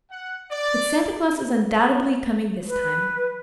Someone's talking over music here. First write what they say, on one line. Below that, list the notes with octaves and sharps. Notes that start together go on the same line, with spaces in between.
But Santa Claus is undoubtedly coming this time.
F#5
D5
B4